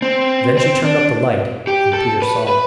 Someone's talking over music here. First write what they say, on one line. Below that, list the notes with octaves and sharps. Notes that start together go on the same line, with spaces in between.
Then she turned up the light, and Peter saw.
C4
C4
D4
G4
A4
B4
B4